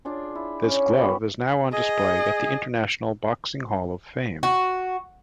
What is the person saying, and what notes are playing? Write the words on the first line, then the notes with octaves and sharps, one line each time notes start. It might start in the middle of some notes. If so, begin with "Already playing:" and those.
This glove is now on display at the International Boxing Hall of Fame.
D4 F4 G#4
E4
C#4
B3 F#4 G4
G#4 D#5
F#4